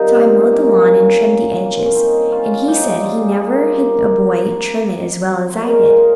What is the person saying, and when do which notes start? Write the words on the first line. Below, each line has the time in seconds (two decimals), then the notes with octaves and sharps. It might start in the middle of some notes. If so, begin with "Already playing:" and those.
So I mowed the lawn and trimmed the edges, and he said he never had a boy trim it as well as I did.
Already playing: C3 D#3 G3 D#4 F4
0.16 C4
0.52 A#3 C#4
1.66 A#3
1.75 C4
1.85 C#4
1.95 C4 D#4
2.32 C#4 F4
2.67 C3 G3 D#4 G4
3.04 F4 G#4
3.40 A#4
3.48 C5
3.57 G4 A#4
3.75 G4 A#4
5.48 C5
5.55 A#2 G#3 A#4 C#5
5.73 A#4 C#5
5.91 F4 G#4